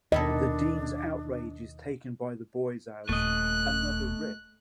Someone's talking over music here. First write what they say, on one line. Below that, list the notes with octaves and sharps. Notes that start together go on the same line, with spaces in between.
The dean's outrage is taken by the boys as "another rib".
D#2 B2 D#3 D4 E4 A4 D#5
D#1 A3 D#5 F#6